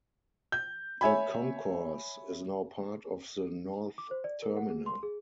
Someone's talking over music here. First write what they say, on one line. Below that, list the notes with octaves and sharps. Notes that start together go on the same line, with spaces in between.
The concourse is now part of the North Terminal.
G6
C#5 E5 G#5 B5
D6
C5
D5
A#4
F#5
G#4
C6
G#4